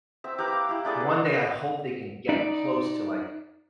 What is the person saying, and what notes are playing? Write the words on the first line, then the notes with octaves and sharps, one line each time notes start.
one day I hope they can get close to, like,
C4 E5
G4 A#4 B4 D6
F5
E4 G4
A3 D4 G#4 D5
B4
D#4 D5